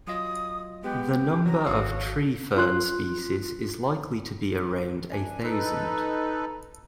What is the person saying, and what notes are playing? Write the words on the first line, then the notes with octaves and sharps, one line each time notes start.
The number of tree fern species is likely to be around a thousand.
F#3 F4 D#5 D#6
G#3 B3 G4
F#3 A#5
G#1 F#4 A4 C#5 F5
F4 C6 F#6
F#2 D4 G#5
D#4 A4 B4